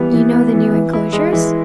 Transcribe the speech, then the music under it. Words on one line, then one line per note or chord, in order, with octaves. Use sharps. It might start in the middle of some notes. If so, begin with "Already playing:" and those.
You know the new enclosures?
Already playing: E3 G3 B3
E3
B3
E3
E3
E4
G#3
E3